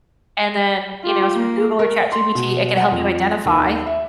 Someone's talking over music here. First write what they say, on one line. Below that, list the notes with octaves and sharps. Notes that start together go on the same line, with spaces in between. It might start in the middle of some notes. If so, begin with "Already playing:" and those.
and then, you know, through Google or ChatGPT, it can help you identify,
F4 G4
A#3
A#4
C6
B2
F#5
F2
D#2
E5